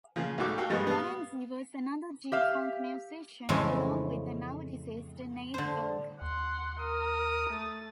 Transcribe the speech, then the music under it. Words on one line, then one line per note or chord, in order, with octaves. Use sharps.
Warren G was another G-funk musician along with the now deceased Nate Dogg.
C#3 F3
B1 G#2 A3 F#4 D6
F#4 G4 A4 F5 G5
G2 F3 G3 G#3 B3
B3 F5
G4 E5 F5
F2 A2 C#3 E3 G#3
D3 C5
D#2 F#5 C6
A#4 D#6
A3 A6